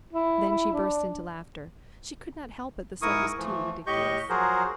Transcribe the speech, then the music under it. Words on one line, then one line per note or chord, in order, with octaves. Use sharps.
Then she burst into laughter; she could not help it, the sight was too ridiculous.
E4
E4
D4
G#2 E4 A#4 C#6 D#6
E3 F3 A3
A2 G4 D#5 C#6 G6
F3 F#3 F#4 G#4 A#4 C5